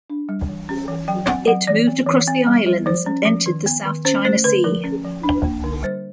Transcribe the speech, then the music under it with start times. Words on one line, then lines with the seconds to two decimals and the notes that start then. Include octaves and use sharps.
It moved across the islands and entered the South China Sea.
0.10 D4
0.29 G3
0.48 E3
0.69 C#4
0.88 E3
1.08 F#3 G5
1.28 C4 F#5
1.47 F#3 F#5
1.67 E3 D5
1.87 C4
2.06 E3
2.27 C4
2.47 G3
2.66 G3
2.86 F3 C5
3.06 C#4
3.25 F3
3.46 D#3
3.66 B3
3.86 D#3
4.05 C#4 C5
4.25 A3 C5
4.44 D3 B4
4.64 F3 A#4
4.84 C#4
5.05 F3
5.23 D4
5.44 A#3
5.64 D3
5.83 G3 C5